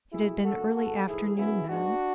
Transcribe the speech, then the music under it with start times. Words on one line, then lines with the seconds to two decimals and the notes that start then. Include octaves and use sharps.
It had been early afternoon then.
0.12 B2 A3 E4 G#4
0.43 F#2 D3 A3 F#4 A4
0.74 G#2 G#3 B3 F#4 A4
1.05 G#2 E3 A3 E4 G#4
1.36 F#2 C#3 F#3 B3 E4 G#4
1.67 G#2 G#3 B3 D4 F#4